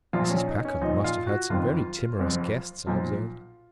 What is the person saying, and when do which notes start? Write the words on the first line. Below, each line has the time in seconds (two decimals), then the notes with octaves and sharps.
"Mrs. Packard must have had some very timorous guests," I observed.
0.13 A#1 A#2 F3 F4
0.30 C#4
0.47 D#4
0.65 C#4
0.81 A#1 A#2 F3 D#4
1.04 F4
1.27 F#4
1.50 F#1 F2 D#3 F4
2.19 F#1 F2 F3
2.87 B1 A#2 F3